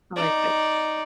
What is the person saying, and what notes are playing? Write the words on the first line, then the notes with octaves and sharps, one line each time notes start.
I like that.
D#4 D5